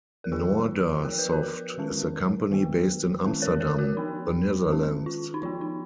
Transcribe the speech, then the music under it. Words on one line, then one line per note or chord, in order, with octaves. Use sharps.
NoorderSoft is a company based in Amsterdam, the Netherlands.
A#4
D#3 F#3 B3 F4 G#4
F3 B3 A#4
B4
F#4 A#4
D#3 G#3 C#4
D#3 G#3 B3
D#3 G#3 C#4
A#4 C#5
A#4 C#5
F#4 A#4
F3 B3 D#4
D#3 G#3 C#4
F4
D#4
F3 B3 F4
D#4